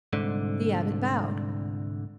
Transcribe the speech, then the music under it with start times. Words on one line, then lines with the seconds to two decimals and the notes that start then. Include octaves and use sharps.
The Abbot bowed.
0.13 C2 G#2 D3